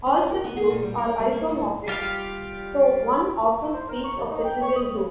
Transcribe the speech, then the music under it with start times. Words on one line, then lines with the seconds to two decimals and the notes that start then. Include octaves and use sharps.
All such groups are isomorphic, so one often speaks of "the" trivial group.
0.06 C#4
0.30 A#4
0.44 B3
0.57 G#4
0.70 A#2
0.83 G3
0.98 A#4
1.19 G3
1.32 A#3
1.49 A2
1.88 G3 F4 G4 F5
3.61 E4
3.74 C5
3.89 A#4
4.04 C#6
4.16 D#2
4.30 D#4
4.44 G5
4.62 C#6
4.75 D#6
4.94 C#3